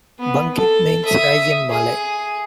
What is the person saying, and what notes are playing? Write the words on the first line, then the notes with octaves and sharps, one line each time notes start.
Bangkit means "rise" in Malay.
B3
A4
E5 D#6
G#4